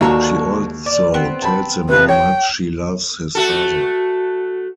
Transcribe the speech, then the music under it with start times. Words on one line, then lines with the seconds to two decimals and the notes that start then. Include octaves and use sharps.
She also tells him how much she loves his father.
0.01 D#2 D3 F#4 A4 C#5 A#5
0.86 D5
1.14 B3 C4
1.42 A5 B5
1.89 F2 C3 B4
2.08 C#5 G5
3.35 A3 F#4 A4